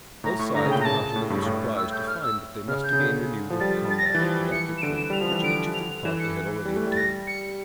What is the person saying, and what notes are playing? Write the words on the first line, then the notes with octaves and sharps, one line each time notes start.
Both sides were not a little surprised to find that they must again renew the combat for that victory which each of them thought they had already obtained.
A2 A#5
A2 C#6
D3 A#5
C#3 G5
A#2
A#5
C#3 A5
A2
G2
A2
E6
G6
F6
E6
C#3 F6
G6
C#3
D3
F3
G3 A6
A6
A#6
A6
E3
F3
E3 C#7
E7
D3 D7
E7
G3 F7
F3
F7
E3
D3 D7
F7
F7
E3 E7
C#7
G3
A3
G3
A6
A#6
C#7